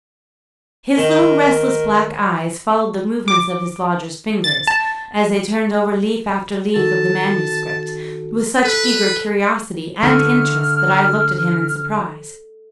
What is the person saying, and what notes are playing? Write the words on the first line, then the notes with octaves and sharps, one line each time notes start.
His little restless black eyes followed the movements of his lodger's fingers, as they turned over leaf after leaf of the manuscript, with such eager curiosity and interest that I looked at him in surprise.
D#3 A#4
D6
A6
A5
D#3 F#4 A4 A5
A4 B4
D3 A3 F6